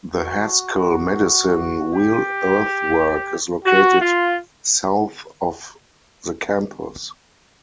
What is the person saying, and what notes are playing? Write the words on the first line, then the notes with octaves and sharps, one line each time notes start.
The Haskell Medicine Wheel Earthwork is located south of the campus.
F#4
G4
F#4
F4